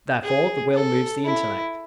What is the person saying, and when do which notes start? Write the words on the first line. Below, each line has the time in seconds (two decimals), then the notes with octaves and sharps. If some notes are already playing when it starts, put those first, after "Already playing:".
Therefore the will moves the intellect.
0.23 G#4
0.73 A4
1.24 E4